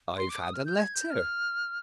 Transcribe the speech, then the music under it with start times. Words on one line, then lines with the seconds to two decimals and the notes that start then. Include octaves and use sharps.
"I've had a letter."
0.17 C6
0.29 D6
0.41 D#6
0.54 F6
0.66 G6
0.78 G#6
0.94 G6
1.10 F6